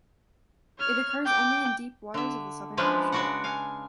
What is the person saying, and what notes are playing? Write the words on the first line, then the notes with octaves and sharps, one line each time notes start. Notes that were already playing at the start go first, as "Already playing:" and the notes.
It occurs only in deep waters of the Southern Ocean.
C#5 F6
G5 D6
D3 E5
F3 G#3 C#4 D4 E4 B4
C#3 G#3 D4 F#4 D5 F#5
F5 G#5